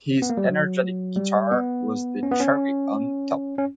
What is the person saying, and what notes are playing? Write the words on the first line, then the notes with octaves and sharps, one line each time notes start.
His energetic guitar was the cherry on top!
B3
A#3
G3
F#3
G3
B3
C#4
B3
C#4
C#4